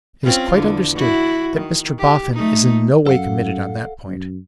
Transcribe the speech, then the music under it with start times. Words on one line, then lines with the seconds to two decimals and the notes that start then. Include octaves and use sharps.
It is quite understood that Mr Boffin is in no way committed on that point.
0.24 C4 C#4 F4
0.53 E2 D3
0.96 E4 F#4
1.57 D#3
1.98 G4
2.33 A3 D#4
3.07 F#2 A4 F5 F#5
4.05 F#2